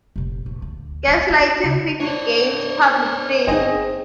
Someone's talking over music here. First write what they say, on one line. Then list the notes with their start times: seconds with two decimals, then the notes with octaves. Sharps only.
Gas lighting quickly gained public favor.
0.16 F1 A#1
0.46 D1
0.62 D2
1.08 B3 D#4
1.30 D4
1.63 C#3
2.00 D4 C5 C#5
3.47 G1 C4 D#4 G#4 D#5